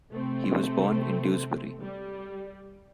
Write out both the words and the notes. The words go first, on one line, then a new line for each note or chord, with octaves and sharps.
He was born in Dewsbury.
C3 A3 C4
G3